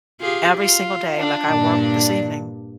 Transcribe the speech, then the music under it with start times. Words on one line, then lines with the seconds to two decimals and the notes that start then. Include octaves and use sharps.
every single day, like, I worked this evening,
0.21 F4 G4 G#4
0.56 F4
1.19 D4
1.50 G2 A#2